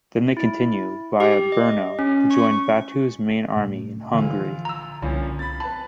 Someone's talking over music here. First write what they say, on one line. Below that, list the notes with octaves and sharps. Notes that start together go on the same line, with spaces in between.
Then they continued via Brno, to join Batu's main army in Hungary.
E4
G4
D#5
C#4
C#6
A2 C3 A3
A#1 D3 E3 F4
A#5 E6
C2 A#2 D3 F3 C#4 E4
C4 B5 A6
B4 A5 B5